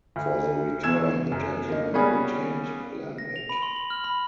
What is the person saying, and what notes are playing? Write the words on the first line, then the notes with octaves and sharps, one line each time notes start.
For the return, the Gentlemen retained Lambert.
D2
E2 E6 G#6 E7
F#2
A#3 D#4
G3 A#3 B3 C#4 G#4
A#6
F7
B5
C6
F#7
F6
B5